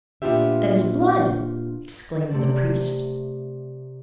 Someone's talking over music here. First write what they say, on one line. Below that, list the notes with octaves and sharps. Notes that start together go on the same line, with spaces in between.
"That is blood!" exclaimed the priest.
A#2 B3 D4 F4 G4 E5
C3 A3 D5